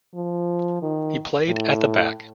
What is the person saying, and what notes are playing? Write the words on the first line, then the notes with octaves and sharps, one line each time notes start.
He played at the back.
F3
D#3
A2